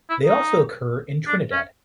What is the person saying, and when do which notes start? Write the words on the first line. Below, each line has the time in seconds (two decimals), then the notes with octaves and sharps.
They also occur in Trinidad.
0.10 E4
0.27 D#4
1.27 D4
1.52 C#4